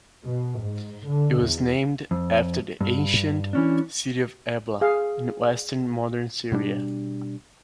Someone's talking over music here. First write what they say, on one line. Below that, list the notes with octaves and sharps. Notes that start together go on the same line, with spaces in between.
It was named after the ancient city of Ebla, in western modern Syria.
B2
G#2
D3
E2
F2
G2
E3 C#4 D4
G#4 F5
B2 G3 B3 D4